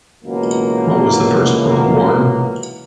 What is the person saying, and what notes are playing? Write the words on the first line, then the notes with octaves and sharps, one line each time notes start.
What was the First World War?
C#2 B2 E3 F#3 A#3